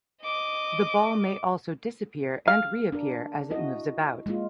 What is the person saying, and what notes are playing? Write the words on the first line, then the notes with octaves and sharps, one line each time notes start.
The ball may also disappear and re-appear as it moves about.
D#5 D6
G#4 F5
D4 A#4
E4 F#4 D#5
G#3 A#3 F4